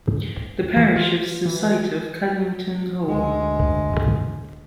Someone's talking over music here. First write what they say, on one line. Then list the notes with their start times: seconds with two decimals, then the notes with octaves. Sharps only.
The parish is the site of Cuddington Hall.
0.77 E3
0.96 F4
1.46 E3
3.08 D2 G#3